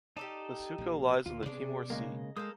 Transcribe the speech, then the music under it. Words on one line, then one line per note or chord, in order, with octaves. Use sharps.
The Suco lies on the Timor Sea.
D#4 G4 A4 D5 A5
A#1 A#3
D2 A#3 F4
B2 G#3 B3 C#4 D4 G#4 D5
C#3 G#3 A#3 D#5
G#3 A#3 A4 D#6 G6